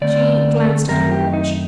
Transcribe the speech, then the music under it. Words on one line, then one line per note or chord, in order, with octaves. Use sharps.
She glanced at her watch.
D3 A3 C4 D5
F#2 D#3 A3 C4 A#4
G4
D#4